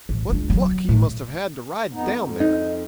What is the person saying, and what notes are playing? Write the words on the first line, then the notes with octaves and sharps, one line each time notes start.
What pluck he must have had to ride down there!'
A1
C#2 D4
F#3 G3
A2
F2 B3 D#4
F2
D#4